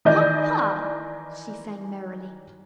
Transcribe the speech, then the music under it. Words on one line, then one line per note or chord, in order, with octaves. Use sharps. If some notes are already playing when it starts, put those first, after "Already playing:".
"Ha, ha!" she sang merrily.
D#3 E3 D5 D#5 G6